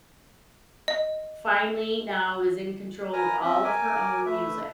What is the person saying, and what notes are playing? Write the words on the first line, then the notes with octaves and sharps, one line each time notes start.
finally now is in control of all of her own music.
D#5
A#4 B4 G#5 A#5
C4 C#4 E5
A#4 G#5 D6
A3 B4 E5